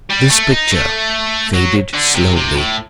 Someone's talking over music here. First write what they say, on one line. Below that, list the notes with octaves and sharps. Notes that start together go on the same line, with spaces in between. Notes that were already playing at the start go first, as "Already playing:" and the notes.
This picture faded slowly.
G3
A3
D#4
A3
F#3
D3
C3
C3
A2